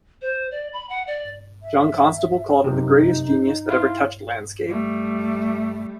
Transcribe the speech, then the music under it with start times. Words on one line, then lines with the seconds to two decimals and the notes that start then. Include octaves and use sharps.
John Constable called him the greatest genius that ever touched landscape.
0.22 C5
0.51 D5
0.73 B5
0.89 F#5
1.07 D5
1.62 E5
2.64 F#2 C3 D#4
3.69 E4 F5 C6
4.68 G3 A3